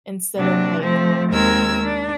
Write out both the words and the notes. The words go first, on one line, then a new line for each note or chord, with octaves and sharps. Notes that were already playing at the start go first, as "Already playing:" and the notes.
Instead of like,
C3 F#3 A#3 D4
F3 A3 C4
D#2 G#3 C4 A#4 E6 G#6
D4